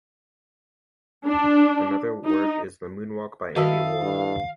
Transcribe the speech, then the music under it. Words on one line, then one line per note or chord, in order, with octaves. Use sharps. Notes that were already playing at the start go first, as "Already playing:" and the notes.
Another work is the "Moonwalk" by Andy Warhol.
D4
D#4
D#3 E4 F#4 A4 D#5 F5
G2